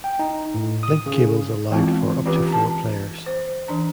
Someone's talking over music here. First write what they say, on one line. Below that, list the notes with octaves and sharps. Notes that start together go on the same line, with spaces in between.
Link cables allowed for up to four players.
G5
D#4
A2
D#6
C#3
E3 G#3 B3 C4 E4 F4
E3 C#4 F4 G4 B4 D6
A5 A#5
C5
E3 D4 A#5